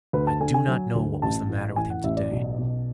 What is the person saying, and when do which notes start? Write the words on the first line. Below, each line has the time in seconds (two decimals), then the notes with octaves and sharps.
I do not know what was the matter with him to-day.
0.13 D2 B4
0.27 A5
0.40 D3 G#5
0.54 G#5
0.68 F#3
0.95 D2
1.22 A1 A5
1.50 A2
1.76 E3 G#5
1.90 F#5
2.03 A1 E5
2.17 D5
2.31 B1
2.58 B2